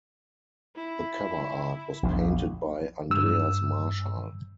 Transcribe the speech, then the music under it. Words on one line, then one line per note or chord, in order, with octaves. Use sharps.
The cover art was painted by Andreas Marschall.
E4
A#1 E2
G2 E6